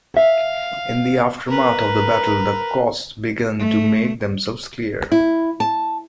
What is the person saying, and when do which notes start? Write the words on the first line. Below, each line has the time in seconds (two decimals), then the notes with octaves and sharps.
In the aftermath of the battle, the costs began to make themselves clear.
0.17 E5 F5
1.48 A#4 B4
3.59 A3
5.12 E4
5.60 A5